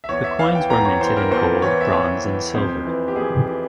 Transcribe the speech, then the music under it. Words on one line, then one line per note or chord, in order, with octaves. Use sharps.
The coins were minted in gold, bronze and silver.
E5
E2 C#5
E5
E3 F5
G5
E2 A#5
C#5
E3 C5
A#4
E2 C5
E3 C#5
E5
E2 C#5
E3
F2 C5
E3
G4
F2 G#4
E3